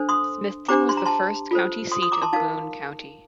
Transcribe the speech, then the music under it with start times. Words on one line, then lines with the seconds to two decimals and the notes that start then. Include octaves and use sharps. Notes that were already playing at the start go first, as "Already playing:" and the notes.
Smithton was the first county seat of Boone County.
Already playing: D4 A4 C5
0.09 C6 D#6
0.68 D4 G4 C5 A#5 D6
0.89 C6
0.97 A#5
1.06 A5 C6
1.51 F4 A4 C5
1.92 C6 D#6
2.02 C6 D#6
2.12 A#5 D6
2.22 A5 C6
2.33 D#4 A#4 F5 A5